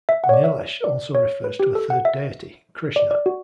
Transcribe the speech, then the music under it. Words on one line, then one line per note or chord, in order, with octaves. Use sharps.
Nilesh also refers to a third deity: Krishna.
E5
F#5
C#5
D5
E5
D5
C#5
B4
G4
A4
F#5
E5
D5
D5
F#4